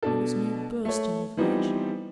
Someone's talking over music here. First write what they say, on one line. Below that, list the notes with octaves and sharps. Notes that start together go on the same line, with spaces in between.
He was near bursting with rage.
B2 D4 A4
A3 C#5
E3 F3 G3 B3 C4 D#4